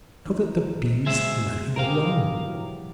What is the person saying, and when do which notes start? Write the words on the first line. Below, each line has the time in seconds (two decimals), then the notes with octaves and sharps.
So that the bees let him alone!
0.26 E3 D#4
1.06 B2 G#3 G#4 C5 E5
1.76 G4 G#4 A#4 F5
2.31 E3 F#3